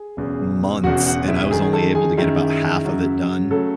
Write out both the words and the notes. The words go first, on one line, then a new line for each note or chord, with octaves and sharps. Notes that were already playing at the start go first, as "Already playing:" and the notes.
months, and I was only able to get about half of it done.
Already playing: G#4
E1 E2 C#3
E1 E2 C#3 F#4 F#5
F#4 F#5
E4 E5
F#2 D#3 G#3 G#4 G#5
A4 A5
G#4 G#5
F#2 D#3 G#3 E4 E5
F#2 C#3 F#3
C#3 F#3 A3 A4